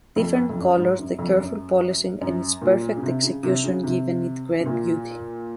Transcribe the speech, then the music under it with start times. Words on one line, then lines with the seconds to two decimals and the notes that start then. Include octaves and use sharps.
Different colors, the careful polishing and its perfect execution give it great beauty.
0.16 F2
0.50 F2
0.58 F#2
0.78 G#2
0.98 F#2
1.19 F2
1.39 F#2
2.21 F#2
2.62 A#2
2.97 C#3
3.03 C3
3.23 C#3
3.43 C3
3.64 C#3
3.83 C3
4.60 C3
4.66 A#2